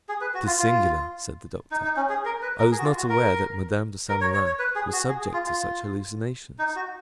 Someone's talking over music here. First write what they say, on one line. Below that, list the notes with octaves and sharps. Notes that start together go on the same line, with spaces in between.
"It is singular," said the doctor; "I was not aware that Madame de Saint-Meran was subject to such hallucinations."
G#4
B4
F#4
F4
F4
D#4
D#4
C#4
G#4
A#4
B4
A#4
G#4
F#4
F4
F#4
A#4
A#4
C#5
C#5
C#5
B4
G#4
F#4
G#4
G#4
F4
F4
D#4
F#4